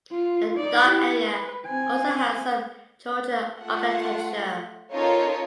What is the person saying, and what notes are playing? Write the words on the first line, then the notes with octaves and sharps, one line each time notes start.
The Dock area also has some Georgian architecture.
F4
D#4 D5
E4 G4
B4
C4 G#5
A3 F4 F#5
C#4 D#4 F4 A4 A#4 C#5